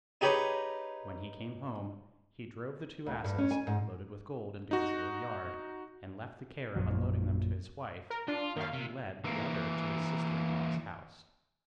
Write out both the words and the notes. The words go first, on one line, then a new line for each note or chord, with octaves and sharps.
When he came home, he drove the two asses loaded with gold into his little yard, and left the care of unloading them to his wife, while he led the other to his sister-in-law's house.
D#4 G4 G#4 B4 C#5 A#5
D2
G2
C#4
G#5
G#2
D#4 F#4
A#1 F#2 F3 F#3
A#4
D4 F4
D#2 A#3 F5
C3
E3 A#3